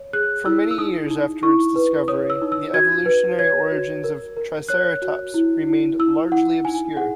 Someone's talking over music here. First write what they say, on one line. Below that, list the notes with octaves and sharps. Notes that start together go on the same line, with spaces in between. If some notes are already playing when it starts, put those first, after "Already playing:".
For many years after its discovery, the evolutionary origins of "Triceratops" remained largely obscure.
Already playing: C#5
G#4 F#6
E4 E6
E6
D#4 D#6
D#4
E4 C#6
B4
C#5 D#6
E6
D#4
E6
F#4 G#6
B4
C#5 G#6
F#4
A#4
A#4
C#5 F#6
F#4
E4
E4
E4 E6
E4 F#5
D#4 G#5
G#4 F#5